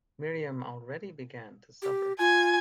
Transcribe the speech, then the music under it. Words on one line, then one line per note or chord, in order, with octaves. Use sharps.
Miriam already began to suffer.
G4
F4 G#5